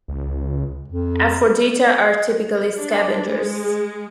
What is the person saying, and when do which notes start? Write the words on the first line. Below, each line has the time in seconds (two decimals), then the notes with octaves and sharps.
"Aphrodita" are typically scavengers.
0.08 C#2
0.88 F2
2.77 D4
3.29 G#3